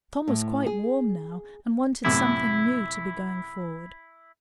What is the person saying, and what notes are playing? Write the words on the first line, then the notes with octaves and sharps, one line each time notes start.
Tom was quite warm now, and wanted something new to be going forward.
A2
G#4
F#2 A2 C3 E4